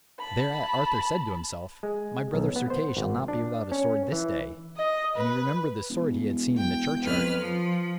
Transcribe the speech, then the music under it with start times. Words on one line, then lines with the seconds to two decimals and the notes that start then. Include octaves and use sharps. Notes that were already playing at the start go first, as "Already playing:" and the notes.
Thereat Arthur said to himself, "My brother Sir Kay shall not be without a sword this day." And he remembered the sword he had seen in the churchyard.
0.19 A5 B5
1.83 G#3
2.34 B1
2.56 B3
2.70 C5
2.97 G#1
3.28 D4
3.72 C#4
4.12 E3
4.76 D#5
5.16 B4
5.90 E1
6.58 G5
7.04 F2 B4 F6
7.39 F3